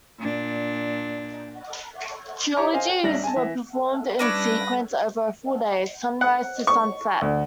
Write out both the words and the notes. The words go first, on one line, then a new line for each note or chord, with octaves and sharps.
Trilogies were performed in sequence over a full day, sunrise to sunset.
A#2 D4
E4 G4 C#5 E5 A#5 D6
C5 D#5 F5 G#5
G5
D#1 G3 D4 E5 A#6
G#5 A5
E3 E5
G3 C#4 D4 E4 B4 A#6
F#5
C#6
D2